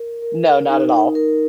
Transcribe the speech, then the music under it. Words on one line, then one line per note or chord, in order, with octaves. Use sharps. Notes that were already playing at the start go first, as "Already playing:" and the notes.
No, not at all.
Already playing: A#4
A#4
D#4
A#4